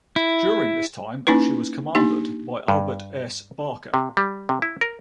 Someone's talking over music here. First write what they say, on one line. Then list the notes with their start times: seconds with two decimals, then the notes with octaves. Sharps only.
During this time, she was commanded by Albert S. Barker.
0.16 E4
1.27 A#3 C#4 D#4 E4 B4
1.95 A#3 D4 D#4 G4
2.68 G2
3.94 C3
4.17 G3
4.49 C3
4.62 E4
4.81 A#4